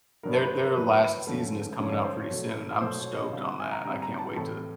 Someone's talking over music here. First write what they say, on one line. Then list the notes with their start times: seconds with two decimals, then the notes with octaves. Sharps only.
their their last season is coming out pretty soon. I'm stoked on that. I can't wait to
0.23 G2 D3 F#3 B3 D4 A#4
0.33 C5
0.41 B4
0.58 A#4
0.76 G2 D3 F#3 B3 D4 B4
1.26 F#2 D3 F3 A3 C#4
1.79 F#2 D3 F3 A3 C#4 C#5
1.92 D5
2.04 C5
2.17 C#5
2.31 B2 F#3 A3
2.81 B2 F#3 A3 C5
2.99 C#5
3.16 D#5
3.33 D3 G3 C4 F5
3.46 F#5
3.60 G#5
3.72 A#5
3.85 D3 G3 C4 A#5
4.02 A#5
4.19 A5
4.36 A2 E3 A3 C4 A5